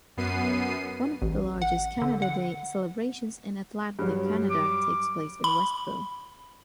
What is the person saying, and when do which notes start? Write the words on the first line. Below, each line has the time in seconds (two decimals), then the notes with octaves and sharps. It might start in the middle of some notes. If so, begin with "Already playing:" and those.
One of the largest Canada Day celebrations in Atlantic Canada takes place in Westville.
0.17 F#2 B3 C7 D#7
1.22 A1
1.62 F#5
2.02 D3
2.22 F#5
3.99 G2 F#3
4.50 D6
5.44 B5